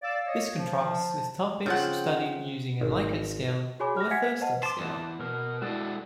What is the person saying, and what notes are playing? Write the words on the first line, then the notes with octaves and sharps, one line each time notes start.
This contrasts with topics studied using a Likert scale or a Thurstone scale.
D5 F5 E6
C#5 D#5
F3
A5
C#3 F3 C4 F#5 G5
G#1
F#4 G#4 C#5 G#5 B5 D6
F6 A#6
E5 F#5 G#5 G#6 B6 C#7
B4
B4 C5 D#5 F#5 A5
A5 C6 D6
E2
B2 A#4
G#3 E4 F#4 A4 D5